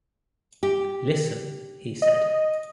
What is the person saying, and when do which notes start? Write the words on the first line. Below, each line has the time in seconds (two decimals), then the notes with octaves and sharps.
"Listen," he said.
0.63 G4
2.02 D#5